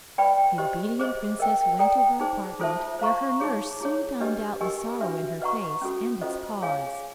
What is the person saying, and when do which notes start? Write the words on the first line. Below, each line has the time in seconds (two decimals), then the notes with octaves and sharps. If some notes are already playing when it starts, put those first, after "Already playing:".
The obedient princess went to her apartment, where her nurse soon found out the sorrow in her face, and its cause.
0.18 B4 D5 G5 B5
0.58 G4 C5 D#5
0.99 G#4 C5 D#5
1.39 A#4 D#5 G5
1.79 A4 D5 G5 A#5
2.20 D#4 G#4 C5
2.60 F4 A4 C5 E5 A5
2.99 C5 F5 A#5 C#6
3.40 D#4 G#4 C#5
3.81 E4 G#4 C#5
4.20 D4 G4 B4 D#5
4.61 G4 A#4 D#5 G#5
5.01 D4 F#4 B4 E5
5.42 B4 D#5 F#5 A#5 C#6
5.81 C#4 F#4 A4
6.21 C#4 F4 A4 C5 D#5
6.62 G#4 C#5 F5 G#5